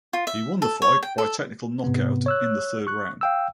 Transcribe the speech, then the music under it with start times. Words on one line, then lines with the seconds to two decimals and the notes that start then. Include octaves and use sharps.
He won the fight by technical knockout in the third round.
0.13 F4
0.27 E5
0.62 A4
0.82 C#5
1.03 G5
1.18 A4
1.84 G#2 C3 B3
2.26 C#5 E6 F#6
2.87 C#6 F#6
3.21 F5 G5 E6